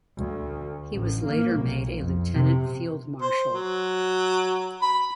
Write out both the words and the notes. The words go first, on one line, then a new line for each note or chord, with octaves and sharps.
He was later made a Lieutenant Field-Marshal.
D2
A1
A#3
B1
F2
C3
C5
F#3
B5